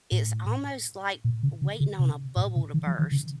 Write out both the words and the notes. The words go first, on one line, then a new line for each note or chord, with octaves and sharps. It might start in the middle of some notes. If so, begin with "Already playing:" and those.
it's almost like waiting on a bubble to burst,
A2
A#2
C#3
C#3
C#3
C3
A2
C3
D#3
F3
D#3
C#3